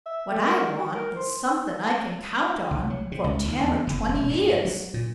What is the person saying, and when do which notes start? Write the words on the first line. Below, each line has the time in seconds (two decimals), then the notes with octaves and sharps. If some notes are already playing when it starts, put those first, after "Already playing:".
What I want is something I can count on for ten or twenty years.
0.06 E5
0.31 A3
0.46 A#4
0.66 G3
0.79 F#4
0.94 A#4
1.17 C5
2.71 C2
2.90 F#3
3.12 C3
3.24 C#2
3.48 D#2
3.63 E2
3.87 F#1
4.09 E1
4.29 G2
4.65 F#3
4.94 A#2